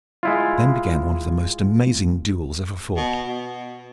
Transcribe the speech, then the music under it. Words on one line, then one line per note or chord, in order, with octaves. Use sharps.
Then began one of the most amazing duels ever fought.
G#3 E4 F4
B2
B2